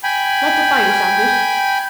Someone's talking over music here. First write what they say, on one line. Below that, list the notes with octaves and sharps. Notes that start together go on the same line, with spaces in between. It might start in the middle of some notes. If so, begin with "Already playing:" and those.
Light the fire, Saunders.
G5 G#5 B5